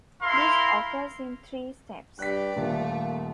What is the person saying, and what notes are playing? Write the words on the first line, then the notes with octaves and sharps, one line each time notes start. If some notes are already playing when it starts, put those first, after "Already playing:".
This occurs in three steps.
E4 A#4 F5 C6
G2 G4 D5 F#6 B6
D#1 F3 A3 A#3 F4